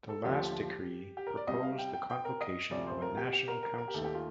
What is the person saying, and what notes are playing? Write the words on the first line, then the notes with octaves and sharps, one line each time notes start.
The last decree proposed the convocation of a national council.
A4
D#2 D3 F3 A3 G4
G4
A#4
D5
C2 C3 G3 D#5
F5
G5
G5
G5
A#4
D#5
D2 C3 F3 D5
C5
A#4
G4
G4
A#4
A#4
A#4
G4
D#2 D#3 A3 A4
G4
F4